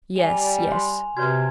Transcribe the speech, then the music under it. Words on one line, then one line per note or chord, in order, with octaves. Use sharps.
"Yes, yes."
G3 G#5 F7
C5 C6
C3 F#4 B4 C#5 G#6